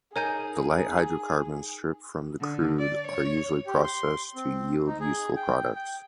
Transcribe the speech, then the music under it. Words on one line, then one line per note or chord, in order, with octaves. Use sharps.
The light hydrocarbons stripped from the crude are usually processed to yield useful products.
D#4 G#4 A#4 C#5 G#5 G6
D3
D5
C#5
G4
C6
C4
D#4
G#4
G5
G5